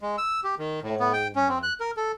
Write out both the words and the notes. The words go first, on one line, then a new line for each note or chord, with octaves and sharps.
Oh my
G#3
E6
G4
D#3
A2
B3
G5
C#4
C4
F#6
A#4
A4